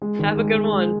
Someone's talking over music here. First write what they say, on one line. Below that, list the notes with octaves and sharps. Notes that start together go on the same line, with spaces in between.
Have a good one.
G#3
D#3
G#3
G#3
G#3